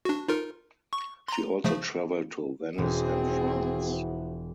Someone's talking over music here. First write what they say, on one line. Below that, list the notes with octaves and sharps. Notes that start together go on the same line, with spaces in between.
She also travelled to Venice and France.
D4 F#4
D#4 F4 A#4
C#6
A#5 C6
C#3 F3 A3
E1 F3 C4 E4 F#4 G#4